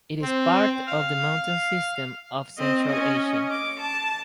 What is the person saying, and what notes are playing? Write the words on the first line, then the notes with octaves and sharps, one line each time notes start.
It is part of the mountain system of Central Asia.
C4
F5
C4 D#5
C#4 D#5
D6
A5